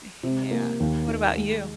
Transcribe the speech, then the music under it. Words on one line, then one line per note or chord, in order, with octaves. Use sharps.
y-yeah, what about you?
C3
A#3
D#2
D#3
G#3